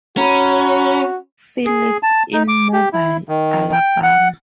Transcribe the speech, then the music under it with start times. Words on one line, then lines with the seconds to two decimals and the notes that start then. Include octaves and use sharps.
Phillips in Mobile, Alabama.
0.17 C#4 F#4 A#5 B5
1.66 G#4
2.03 A5
2.33 D#4
2.48 D6
2.73 G4
2.93 E4
3.29 D#3
3.72 G5
4.03 F#5